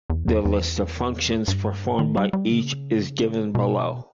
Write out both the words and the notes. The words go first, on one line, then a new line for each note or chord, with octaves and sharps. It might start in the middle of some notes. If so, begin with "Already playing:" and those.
The list of functions performed by each is given below.
E2
E2
E2
G2
D#3
G3
G3
C#3
B2